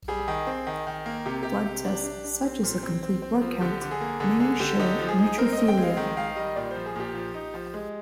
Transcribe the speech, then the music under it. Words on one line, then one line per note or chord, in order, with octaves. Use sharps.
Blood tests such as a complete blood count may show neutrophilia.
G3 G#4
D#3
C4
D#3
D#3
A#3
C3 G4
C3 G4
C3
D4
D4
D4
C4
A#2
C4
C4
C4
F3
D3 G4
D3
G#4
A#3
D3 G#4
D3 G#4
D3 G4
D#4 G4
F3
G#4
D#4
C4 A#4
D#5
C4
G5
G#3
F5
D#3
D#3 F5
G3 D#5
A#2 D5
F3 C5
G#4
A#2 G4
F3
D#4
F3
G#3